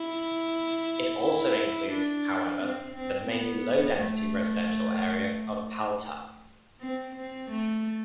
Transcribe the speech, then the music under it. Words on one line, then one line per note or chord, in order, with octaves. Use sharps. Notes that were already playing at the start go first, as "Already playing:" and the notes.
It also includes, however, the mainly low-density residential area of Paltta.
Already playing: E4
E4
D4
C4
C4
B3
A3
C4
C4
A3